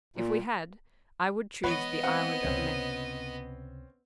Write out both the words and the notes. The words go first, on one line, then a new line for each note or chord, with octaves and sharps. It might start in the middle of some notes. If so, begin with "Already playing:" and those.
'If we had I would choose the Island of Man.'
A#2
E3 G#3 B3 B4 C#5 D#5 F#5
C4 F5 F#5
C#2 C3 C4 C#4